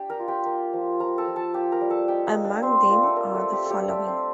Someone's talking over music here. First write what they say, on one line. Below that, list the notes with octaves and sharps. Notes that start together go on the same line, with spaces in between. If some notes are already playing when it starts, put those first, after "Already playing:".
Among them are the following.
Already playing: D4 G4 G5
A#4 A#5
F4
G4 G5
A#3
F3
F3 A#4 A#5
A4 A5
F3
A4 A5
A#3 G4 G5
A#4 A#5
G3
A4 A5
D#4 G4 G5
D#4 D#5
A#3
D4 D5
G3 C4 C5
A#3 F4 A#4
A3 A4
G3 A#3 A#4
A3 A4
C4
G4
G3 G4 A4
A3 A4
D4
C4 C5